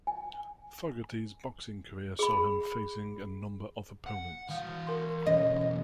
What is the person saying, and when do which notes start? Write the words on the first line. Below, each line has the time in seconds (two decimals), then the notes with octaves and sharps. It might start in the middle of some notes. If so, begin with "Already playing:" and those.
Fogerty's boxing career saw him facing a number of opponents.
0.07 G#5
2.19 G#4 B5
4.06 F#5
4.49 E3 F5
4.87 A#4 C6
5.26 B1 E2 C#4 C#5 D#5